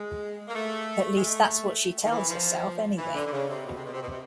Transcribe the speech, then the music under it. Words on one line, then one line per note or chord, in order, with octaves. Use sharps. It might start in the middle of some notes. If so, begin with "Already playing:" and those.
At least that's what she tells herself anyway.
Already playing: G#3
A#3
A3
G#3
A3
D#3
E3
F3
E3
D3
D3
C#3
C3
B2
C3
B2
C3
B2
C3